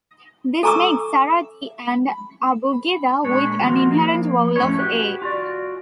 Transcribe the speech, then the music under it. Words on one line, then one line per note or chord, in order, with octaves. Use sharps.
This makes Sarati an abugida with an inherent vowel of "a".
A4 G#5 A#5 C#6 D6 E6
A#2 G#3 D4 C#5
D#3 F3 A#3 F4 F#4
F3 A#3
F2 A2 C#4 C#5
F#4 G4 B4
F4 F#4 D5